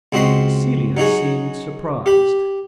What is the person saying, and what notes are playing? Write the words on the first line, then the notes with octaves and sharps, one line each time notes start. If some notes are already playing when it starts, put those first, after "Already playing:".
Celia seemed surprised.
C#2 C4 F#4 D#5 B5 C6
F#3 D#4 F#4 G#4
G4 B5